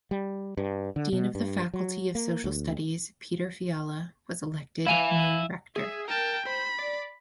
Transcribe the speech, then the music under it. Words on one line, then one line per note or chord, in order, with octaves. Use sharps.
Dean of the Faculty of Social Studies Petr Fiala was elected new Rector.
G3
G2
D3
B2
G2
F#3
A#3
D2
E4 F5 G#5 D#7 F7
G#4 E5
A#4 G5 A5
C5 B5
D5